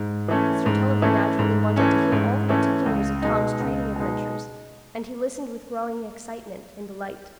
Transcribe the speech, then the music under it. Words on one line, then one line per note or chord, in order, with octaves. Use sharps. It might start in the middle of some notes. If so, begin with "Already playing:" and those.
Mr. Tulliver naturally wanted to hear all the particulars of Tom's trading adventures, and he listened with growing excitement and delight.
Already playing: G#2
E3 A3 C#4
G#2
E3 A3 C#4
G#2
E3 A3 C#4
G#2
E3 A3 C#4
C#2
B2 G#3 D#4
C#2
B2 G#3 D#4